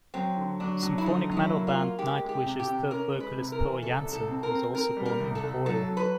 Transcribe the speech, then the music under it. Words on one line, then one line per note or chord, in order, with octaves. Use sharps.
Symphonic metal band Nightwish's third vocalist Floor Jansen was also born in Goirle.
F#3 C4
D3
F#3 D4
F#3
E4
D3 D#4
F#3 D#4
E4
A#3
F4
A#3
G#3 G4
G#3
G4
C3
G4
C3
C#4 A#4
G#3
B4
C3
A#4
E3
C2 A4
C2
A4
C4
A#4
C4
C4 A#4
G3
A#4
C2
A4
C2
F#3 A4
F#3
B4